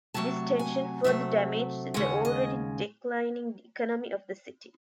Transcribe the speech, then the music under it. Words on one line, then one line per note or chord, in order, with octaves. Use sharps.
This tension further damaged the already declining economy of the city.
C3 F#3 A3 A5
G#5
C3 F#3 A3 E5
D#2 C#3 G#3 F#5
D#5